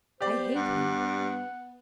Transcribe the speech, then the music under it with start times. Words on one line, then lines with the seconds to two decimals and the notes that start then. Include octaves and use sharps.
"I hate him!"
0.21 B3 G4 C5 D5
0.55 G2 F#5